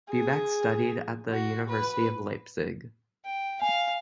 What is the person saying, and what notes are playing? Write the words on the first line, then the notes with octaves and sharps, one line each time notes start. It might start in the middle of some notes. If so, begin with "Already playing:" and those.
Buback studied at the University of Leipzig.
G#4
F#4
B4
G5
F5 G#5